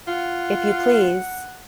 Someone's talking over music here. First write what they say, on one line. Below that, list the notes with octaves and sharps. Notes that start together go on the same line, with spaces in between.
If you please.
F4 F#5